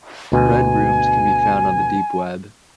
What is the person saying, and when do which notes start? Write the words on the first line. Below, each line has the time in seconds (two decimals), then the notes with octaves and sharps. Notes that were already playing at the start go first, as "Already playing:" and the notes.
Red Rooms can be found on the deep web.
0.32 D2 B2 G#5